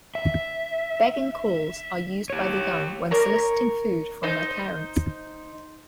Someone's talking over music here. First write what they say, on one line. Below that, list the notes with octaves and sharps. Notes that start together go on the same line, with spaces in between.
Begging calls are used by the young when soliciting food from their parents.
E5
G4 C#5
A#4 C#5 A#5
D#4 C5